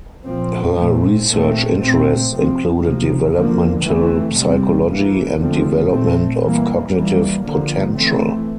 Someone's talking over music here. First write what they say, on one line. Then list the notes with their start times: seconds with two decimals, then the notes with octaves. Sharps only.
Her research interests included developmental psychology and development of cognitive potential.
0.25 A#2 F3 C4
0.77 A#2 A3 C4
1.27 A#2 A3 C4
1.79 A#2 A3 C4
2.30 C3 F3 C4
2.82 C3 F3 A#3
3.33 D3 F3 A#3
3.84 E3 A3 C4
4.36 C3 G3 C4
4.87 E3 A#3
5.38 D3 F3 A3 C4
5.89 A#2 A3 C4
6.41 E3 G3 A#3
6.92 E3 G3 A#3
7.43 D3 F3 A#3
7.94 E3 A3 C4